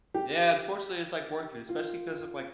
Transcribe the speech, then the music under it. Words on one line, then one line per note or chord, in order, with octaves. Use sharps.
Yeah, unfortunately, it's, like, working, especially 'cause of, like,
G4
F4